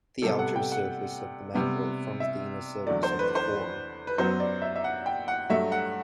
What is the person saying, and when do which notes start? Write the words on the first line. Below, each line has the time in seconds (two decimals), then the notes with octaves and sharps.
The outer surface of the mandrel forms the inner surface of the form.
0.22 C3 G3 B3 A4
0.39 F#5
0.56 G5
0.72 F#5
1.54 C3 G3 B3
2.20 E5
2.86 E2 D3 F#3 A3 D5
3.03 C5
3.19 B4
3.35 C5
4.07 B4
4.18 F#2 F#3 B3 C5
4.40 D5
4.62 E5
4.76 E5
4.84 F#5
5.06 G5
5.28 F#5
5.50 G2 F#3 A3 E5
5.72 F#5